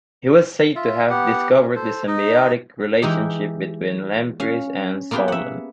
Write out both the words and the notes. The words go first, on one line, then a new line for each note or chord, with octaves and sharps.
He was said to have discovered the symbiotic relationship between lampreys and salmon.
F4 E5
B3 G4 F#5
C#4
A4 C5
D#4 D#5
E3 G#3 D#4 G4
C#4 F5
A#3 B3 F4 G4 G#4 B4
E5 F#5